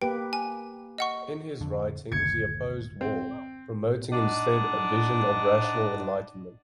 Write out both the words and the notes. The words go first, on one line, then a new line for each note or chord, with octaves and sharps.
In his writings he opposed war, promoting instead a vision of rational enlightenment.
A#3 G4 B4 G5
G#5
D#5 F#5 C#6
F2 D3
F#1 D2 D#3 G#6 C#7
C4
D4 D#4 D5 D#5 F#5